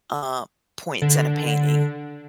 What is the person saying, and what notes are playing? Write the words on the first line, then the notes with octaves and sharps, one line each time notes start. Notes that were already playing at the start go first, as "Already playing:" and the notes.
um, points in a painting."
D3